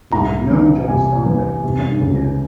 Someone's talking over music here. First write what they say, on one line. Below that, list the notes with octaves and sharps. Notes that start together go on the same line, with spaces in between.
He had known John Steinbeck for many years.
C2 A#5
E3
C3 G#5
E3
C3
C#2